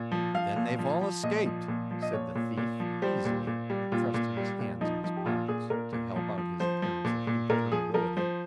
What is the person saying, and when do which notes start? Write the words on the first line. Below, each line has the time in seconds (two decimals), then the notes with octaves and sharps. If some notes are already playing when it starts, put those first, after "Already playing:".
"Then they've all escaped," said the thief, easily, thrusting his hands in his pockets to help out his appearance of imperturbability.
Already playing: A#2
0.12 F3
0.34 F3 F5
0.56 A#2
0.79 F3
1.01 F3
1.23 A#2 D#5
1.46 F3
1.68 A#2
1.91 F3
2.02 D#5
2.13 A#2 C#5
2.35 A#2
2.57 A#2
2.80 F3
3.02 G3 C5
3.25 A#2
3.47 A#2
3.70 G3
3.92 A#2 F4
4.14 A#2
4.37 G3
4.59 A#2
4.81 F3 D#4
5.04 F3 D#4
5.17 G4
5.26 A#2 F4
5.48 A#2 G#4
5.70 A#2 A#4
5.93 A#2
6.16 F3
6.38 F3
6.60 F3 C5
6.82 F3
7.05 A#2
7.27 A#2
7.50 A#2 A#4
7.72 F3 G#4
7.94 F3 A#4
8.17 F3 C5